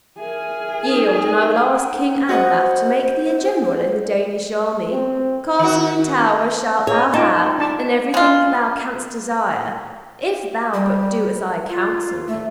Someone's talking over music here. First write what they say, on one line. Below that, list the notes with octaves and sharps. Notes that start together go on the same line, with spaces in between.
"Yield, and I will ask King Anlaf to make thee a general in the Danish army. Castle and tower shalt thou have, and everything that thou canst desire, if thou but do as I counsel thee."
G#4 A#4 E5 G#5
D#4 D#6
D#4 F#5 G5
F#4 C5 D#5 F#5
C4
D#3 F#4
G#4 C#5 D#5
D#4 F4 G5 A5
D4 A5 D6
G#3 F4
G3
F4
A3